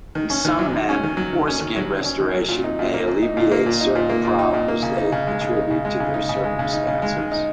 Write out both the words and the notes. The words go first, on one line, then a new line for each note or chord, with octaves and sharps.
In some men, foreskin restoration may alleviate certain problems they attribute to their circumcisions.
D#3
C#4
D#3
F#3
D#3
C#4
D#3
F#3
D#3
C#4
D#3
F#3
D#3
C#4
D#3
F#3
A#2
D#4
A#2
A#3
A#2
D#4
A#2
A#3
A#2
D#4
A#2
A#3
A#2
D#4
A#2
A#3
C#3
D#4
C#3
G#3
C#3
D#4
C#3
G#3
C#3
D#4
C#3
G#3
C#3
D#4
C#3
G#3
D#3
D#4